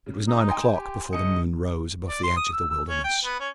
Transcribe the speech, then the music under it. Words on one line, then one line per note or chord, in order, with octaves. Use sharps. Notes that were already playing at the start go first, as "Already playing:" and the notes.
It was nine o'clock before the moon rose above the edge of the wilderness.
C#3
D#4
G5 G#5 C6
G4
F#1 D#5 C#7
D5
C6
D#6
E6
E6
C#4
G5
B3
C#4